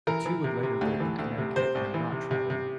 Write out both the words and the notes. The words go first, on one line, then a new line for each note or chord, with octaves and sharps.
The two would later live in Connecticut when not travelling.
E3 A#4
E3
C3
C3
D2
E3
D2
C3
C3 C5
C2
E3
C3
C3
C3